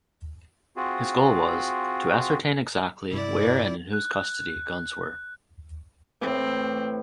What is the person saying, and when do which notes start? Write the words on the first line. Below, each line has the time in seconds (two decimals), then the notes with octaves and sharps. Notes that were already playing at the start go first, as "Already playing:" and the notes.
His goal was "to ascertain exactly where and in whose custody" guns were.
0.76 C4 F4 F#4 G#4
3.12 G2 C3 E4 D5
3.93 F#6
6.21 A2 E3 C4